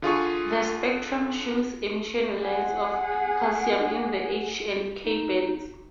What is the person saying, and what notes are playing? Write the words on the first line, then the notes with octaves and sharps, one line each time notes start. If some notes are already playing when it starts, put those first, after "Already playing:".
The spectrum shows emission lines of calcium in the H and K bands.
D3 F4 G#4 C#6
G#4 F#5
D#4